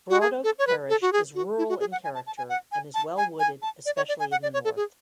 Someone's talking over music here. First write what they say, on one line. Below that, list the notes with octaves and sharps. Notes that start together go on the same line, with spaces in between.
Broadoak parish is rural in character and is well wooded, especially in the north.
F#4
G#4
A4
C#5
B4
A4
F#4
G#4
F#4
E4
F#4
G#4
F#5
G#5
A5
A5
G#5
F#5
G#5
A5
G#5
G#5
A5
D5
C#5
D5
G#5
F#5
D5
C#5
A4
G#4